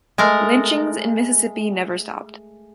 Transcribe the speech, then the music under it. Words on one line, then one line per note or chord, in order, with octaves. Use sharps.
Lynchings in Mississippi never stopped.
G#3 A3 A#4